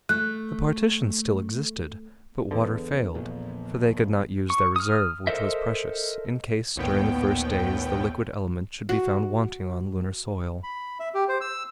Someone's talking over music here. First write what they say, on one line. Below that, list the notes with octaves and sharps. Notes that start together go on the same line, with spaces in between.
The partitions still existed, but water failed, for they could not use their reserve, which was precious, in case during the first days the liquid element should be found wanting on lunar soil.
A3 F#6
E2 D3
A#1 A#2 F3
C#6
D#6 F6
A4 A#4 C5 D#5 E5
A#1 D#2 A2 B3 G5
F#4
B5
E5
G4
C5
E6